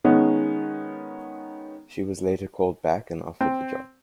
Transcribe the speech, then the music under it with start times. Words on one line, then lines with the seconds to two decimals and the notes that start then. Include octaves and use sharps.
She was later called back and offered the job.
0.04 D#3 G#3 B3 C#4 D#4
3.41 C4